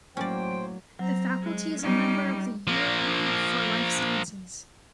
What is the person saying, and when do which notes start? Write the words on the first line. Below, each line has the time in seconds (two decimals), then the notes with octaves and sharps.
The Faculty is a member of the Euroleague for Life Sciences.
0.17 A2 F#3 A#3 C#4 C5 D5 G5
0.99 F#3 C4 A#5
1.43 G#3
1.83 G3 C#4 D#4
2.67 F3 A#3